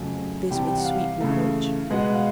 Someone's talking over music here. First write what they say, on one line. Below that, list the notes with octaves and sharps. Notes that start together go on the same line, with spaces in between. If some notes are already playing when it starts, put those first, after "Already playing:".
This with sweet reproach.
Already playing: F2 C#3 F#3 A3 G#5
C3 E3 G3 G5
A5
G5
F#5
F5
C#3 E3 A3
B2 G#3 B3 F#5
F#5
F5